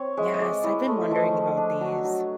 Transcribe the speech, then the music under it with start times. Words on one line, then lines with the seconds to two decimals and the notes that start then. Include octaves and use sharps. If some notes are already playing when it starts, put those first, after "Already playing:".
Yes, I've been wondering about these.
Already playing: C4 C#5
0.17 G#3 E5
0.34 D#5
0.40 G#3 D5
0.64 E4 C#5
0.87 A3 D#5
1.01 E5
1.11 F3 D#5
1.34 F3
1.57 D4
1.81 F#3
2.04 F#3